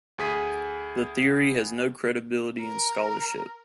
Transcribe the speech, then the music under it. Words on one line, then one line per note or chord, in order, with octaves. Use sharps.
The theory has no credibility in scholarship.
D2 G#4 B6 D#7
A#4